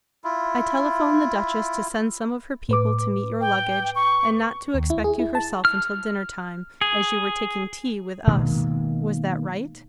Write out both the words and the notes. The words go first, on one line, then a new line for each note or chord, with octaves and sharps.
I telephoned the duchess to send some of her people to meet your luggage, and not to expect you herself until dinner time, as you were taking tea with us. Was that right?
E4 F4
A2 B4 D6
G5
C#6
D#2
E4
G#4
E4
A5
F6
G#4
B2 D#3 G#3 A#3